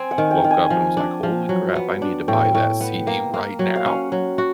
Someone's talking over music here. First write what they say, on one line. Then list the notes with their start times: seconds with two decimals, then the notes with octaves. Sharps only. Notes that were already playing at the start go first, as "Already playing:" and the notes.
woke up and was, like, "Holy crap, I need to buy that CD right now.
Already playing: C4 G#5
0.11 F#5
0.18 D#3
0.31 G5
0.44 D#3
0.51 G#5
0.70 F3
0.97 D4
1.23 F3
1.49 F#3
1.75 B3
2.02 D4
2.28 A2 G5
2.55 A2
2.81 B3
3.07 A#3
3.34 A#3
3.59 F#3
3.76 F5
3.85 C#4 F#5
4.12 F#3
4.38 F#4